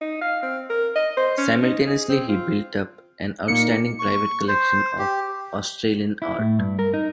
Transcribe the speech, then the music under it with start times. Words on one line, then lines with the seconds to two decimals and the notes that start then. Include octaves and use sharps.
Simultaneously he built up an outstanding private collection of Australian art.
0.01 D#4
0.22 F5
0.43 C4
0.70 A#4
0.96 D#5
1.17 C5
1.38 C#4
1.63 D#4
1.87 G#4
2.09 C4
2.29 F4
3.48 A#2 A#3 D#4 C#7
3.99 C#6
4.48 C5
4.98 G4
6.22 E4
6.39 A2
6.59 G2
6.79 A#4
6.94 D#4